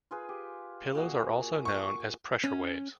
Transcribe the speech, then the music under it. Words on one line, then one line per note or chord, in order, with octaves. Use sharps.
Pillows are also known as "pressure waves".
F4 G#4 B4
G4
A#2 F#4 G#4
C#6
C#4